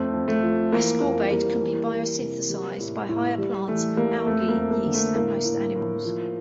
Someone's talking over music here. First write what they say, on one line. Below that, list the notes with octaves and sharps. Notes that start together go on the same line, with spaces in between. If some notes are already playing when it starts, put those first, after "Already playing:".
Ascorbate can be biosynthesized by higher plants, algae, yeast and most animals.
Already playing: F2 A3 C4
F2
A3
F3
E3 A#3
F2 A#3
G3 A#3
E3
E3
C3
G3
A2
A2
G3
E3 A3
G3 A#3
F2 A3
A#3
F2
A#3
D3
A3
A2 A#3
A2
A2
F3